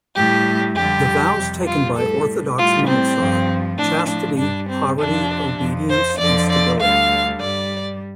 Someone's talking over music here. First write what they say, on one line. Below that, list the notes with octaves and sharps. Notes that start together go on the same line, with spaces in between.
The vows taken by Orthodox monks are: Chastity, poverty, obedience, and stability.
A2 G3 G4
F2 D3 G3 G4
F2 C3 G3
F4
A2 G3 A4
A2 G3 F4
C4
G2 F3
A2 F3 D4
D4
G2 G3 D4
C4
F2 C3 F3 D4
F2 F3
C5
F2 D3 F3 D5
D5
D2 D3 G3 F5
G2 G3 D5